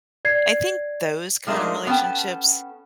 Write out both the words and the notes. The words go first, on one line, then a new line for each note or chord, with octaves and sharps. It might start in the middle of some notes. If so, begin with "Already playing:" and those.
I think those kinda relationships
D5 G#6 C7
F3 G#3 A3 D4 D#4 A#4
B3 C#4 A4 G5 A5